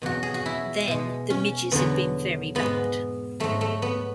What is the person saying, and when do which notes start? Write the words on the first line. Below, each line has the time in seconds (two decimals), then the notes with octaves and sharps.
Then the midges had been very bad.
0.02 E2 B2 F#3 F#4
0.23 G#4
0.34 F#4
0.46 E4
0.88 B2 G#3
1.30 C#4
1.71 E2 D3 F#3 B3
2.55 G#2 G#3 B3
3.40 G#2 F#3 A3
3.61 A3
3.82 B3